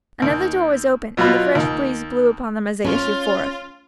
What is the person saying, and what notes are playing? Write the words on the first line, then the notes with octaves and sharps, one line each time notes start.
Another door was opened, and the fresh breeze blew upon them as they issued forth.
D#2
B2 F#3 F4 B5
D#2
C#4 F4